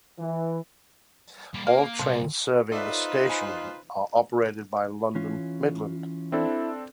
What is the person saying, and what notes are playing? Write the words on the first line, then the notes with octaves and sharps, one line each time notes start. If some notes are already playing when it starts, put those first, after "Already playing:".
All trains serving the station are operated by London Midland.
E3
G3 A#3
A#3 F5
C2 A#2 F3
D#4 F4 A4 B4 C5 D5 E5
G#5 B5
E3 C#4 F4
C4 D4 E4 A4